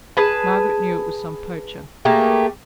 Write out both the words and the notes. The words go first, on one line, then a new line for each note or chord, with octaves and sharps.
Margaret knew it was some poacher.
G#4 B4 A5
A3 A#3 G4 G#4